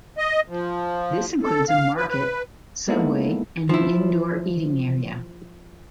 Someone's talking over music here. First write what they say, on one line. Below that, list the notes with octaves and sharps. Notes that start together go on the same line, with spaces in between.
This includes a market, Subway, and an indoor eating area.
D#5
F3
A4
F5
B4
B4
G#3 A#3 B3 D#4 E4 A4
F3 E4